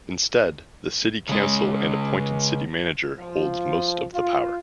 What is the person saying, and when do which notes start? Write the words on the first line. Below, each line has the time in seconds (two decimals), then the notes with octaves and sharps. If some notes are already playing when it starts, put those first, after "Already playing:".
Instead, the city council and appointed city manager holds most of the power.
1.29 C#3 G#3
3.19 F3
4.13 F4